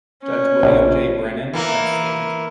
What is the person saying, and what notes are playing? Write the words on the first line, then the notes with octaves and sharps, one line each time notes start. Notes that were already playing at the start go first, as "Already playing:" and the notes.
Judge William J. Brennan abstained.
C#4
A#1
E3 A#3